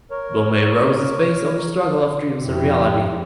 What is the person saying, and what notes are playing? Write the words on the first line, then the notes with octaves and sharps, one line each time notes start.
Bombay Rose is based on this struggle of dreams and reality.
A#4 C#5
F2 E4 G4